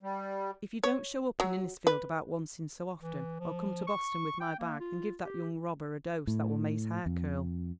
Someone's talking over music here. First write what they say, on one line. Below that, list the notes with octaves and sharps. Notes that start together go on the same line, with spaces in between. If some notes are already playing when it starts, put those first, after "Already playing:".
"If you don't show up in Innisfield about once in so often I'll come to Boston with my bag and give that young robber a dose that will make his hair curl."
G3
C#5
F#3
B4
E3
F3
C#6
G5
A#3
F4
G4
A2
F2